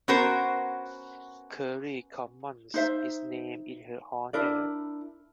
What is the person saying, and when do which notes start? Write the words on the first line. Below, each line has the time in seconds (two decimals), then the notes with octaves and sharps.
Curry Commons is named in her honor.
0.08 B3 C#4 F#4 A#4 C5
2.74 D#4 C5 E5
4.33 D4 E4 A#4 D5